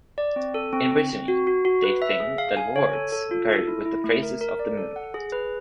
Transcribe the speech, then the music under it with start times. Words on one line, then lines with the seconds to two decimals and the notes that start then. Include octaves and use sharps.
In Brittany they think that warts vary with the phases of the moon.
0.18 D5
0.36 C4
0.54 A4
0.73 C4
0.91 C4
1.10 C4
1.28 F#4
1.47 F#4
1.65 F#4
1.83 B4
2.02 E5
2.20 G#4
2.38 F5
2.57 G#5
2.76 C#5
2.93 A4
3.12 A4
3.31 F4
3.49 A4
3.68 E4
3.85 E4
4.04 A3
4.23 A#4
4.41 A#4
4.59 D5
4.77 A4
4.96 F#5
5.14 G#4
5.32 B4